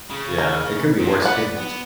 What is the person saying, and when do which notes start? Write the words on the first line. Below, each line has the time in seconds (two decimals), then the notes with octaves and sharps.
Yeah, it could be worse, it could be s
0.10 C#3
0.38 A#4
1.00 A#2
1.22 B3 D5 F#5
1.56 B3